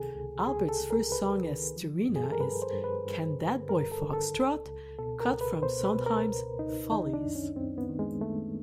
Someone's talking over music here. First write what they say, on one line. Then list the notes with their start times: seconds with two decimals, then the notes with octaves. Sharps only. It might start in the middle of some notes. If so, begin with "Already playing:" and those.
Albert's first song as "Starina" is "Can That Boy Foxtrot", cut from Sondheim's "Follies".
Already playing: C#2 C3 D#3 G#4 A4
0.15 C#2
0.47 C#2 G#4
0.69 A4
0.80 C#2
0.90 A#4
1.11 C#2 B4
1.44 D#3
1.76 F3
2.09 G2
2.16 G#4
2.24 A4
2.32 A#4
2.40 G2 B4
2.62 C5
2.73 G2
2.84 B4
3.05 G2
3.38 D3
3.69 G2 A#4
3.92 A4
4.02 D3
4.13 A4
4.34 C#2
4.66 C#2
4.99 B2 A4
5.20 A#4
5.31 C#2
5.41 B4
5.63 B2 C5
5.85 B4
5.95 B2
6.06 A#4
6.28 C#2
6.59 C#2 D#4
6.92 D#3 D#4
7.13 D4
7.25 F#2
7.35 C#4
7.56 F#2 C4
7.78 B3
7.89 D#3
7.99 G#3
8.21 D#3 A3